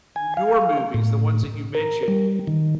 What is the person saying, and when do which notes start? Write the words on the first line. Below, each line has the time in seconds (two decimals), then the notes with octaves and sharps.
your movies, the ones that you mentioned,
0.16 G#5
0.37 F5
0.94 A2
1.75 A#4
2.08 G3
2.47 D#3